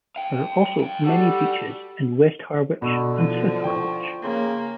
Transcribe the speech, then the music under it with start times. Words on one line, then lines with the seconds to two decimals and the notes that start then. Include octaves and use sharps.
There are also many beaches in West Harwich and South Harwich.
0.16 F5 G5
0.80 F#2 G5
1.04 G3 F#4 G4 A4
2.82 B2 D3 B5 C#6 E6
3.18 F3 E4 F#4 D#7
3.64 E4 D5 G5 C#6
4.24 C#3 A#3 C6